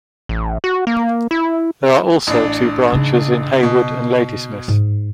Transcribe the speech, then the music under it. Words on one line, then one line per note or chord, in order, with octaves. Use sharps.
There are also two branches in Hayward and Ladysmith.
A1
F#4
A#3
E4
A1 D4
C#3 D#4
B2
G#2